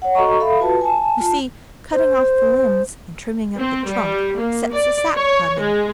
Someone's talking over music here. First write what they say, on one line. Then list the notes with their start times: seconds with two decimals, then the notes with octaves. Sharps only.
You see, cutting off the limbs and trimming up the trunk sets the sap running.
0.02 C#5 F#5
0.15 F#4 A4 D#5 A#5 C#6
0.40 A4 E5 F5 B5
0.60 F4 F#4 B4 A5
0.81 G#5 A5
1.20 F4 A5
1.93 C5
3.58 C4
3.88 G3
4.39 A#3
4.71 D5
5.16 C#5
5.58 G#3